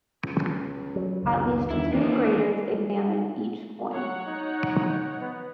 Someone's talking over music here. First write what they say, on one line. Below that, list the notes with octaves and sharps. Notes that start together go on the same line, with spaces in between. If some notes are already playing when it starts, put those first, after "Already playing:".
At least two graders examine each coin.
C#2
F#3
F#1 C#2 D#3
G1 E2 D#3 E4
D#2 E3 A#3 D4
F#3 C#5 F#5
D#4
B3